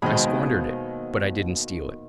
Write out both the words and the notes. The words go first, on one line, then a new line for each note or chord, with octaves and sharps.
I squandered it, but I didn't steal it.
D#2 B2 D#3 G#3 C5 D#5 B5 D#6